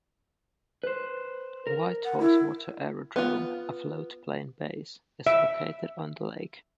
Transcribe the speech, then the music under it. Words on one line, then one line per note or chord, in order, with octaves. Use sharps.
Whitehorse Water Aerodrome, a float plane base, is located on the lake.
B4 C5
A#4
F#5
E4
B3 F4
E5